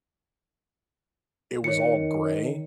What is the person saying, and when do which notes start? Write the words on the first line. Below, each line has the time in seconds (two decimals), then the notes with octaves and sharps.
it was all gray,
1.64 D#3 C#5 C#7